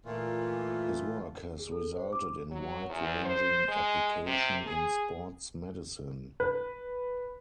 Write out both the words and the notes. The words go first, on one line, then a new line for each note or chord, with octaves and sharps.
His work has resulted in wide-ranging application in sports medicine.
A#2 E3 A3 F4
G#4
A4
C5
D6
F#3
E2
C5
G#3
C3
G#4
B4